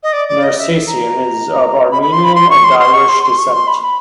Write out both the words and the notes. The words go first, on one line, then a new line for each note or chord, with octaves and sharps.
Nersesian is of Armenian and Irish descent.
D#5
D5
D5
D#5
E5
A#5
B5
B5
C6
B5
C6
C#6
C6
C6
C#6
C6
C6
C#6
C6
B5
B5